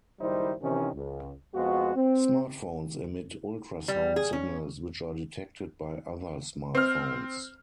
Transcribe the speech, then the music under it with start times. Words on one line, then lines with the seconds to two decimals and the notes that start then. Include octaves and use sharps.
Smartphones emit ultrasound signals which are detected by other smartphones.
0.21 F#1 D#3 G3 D#4 E4 C5
0.62 C3 D#3 E3 C#4
0.95 C#2
1.54 F2 G#3 B3 F4 F#4
1.96 C4
3.88 G3
4.16 G#4
4.33 C#4
6.75 C4 F6